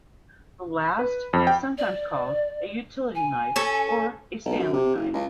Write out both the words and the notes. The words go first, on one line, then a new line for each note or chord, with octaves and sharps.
The last is sometimes called a utility knife or a Stanley knife.
B4
F2
G5
D5
G#5
C#4 A4
B1
F#2
C3
F#1
C#2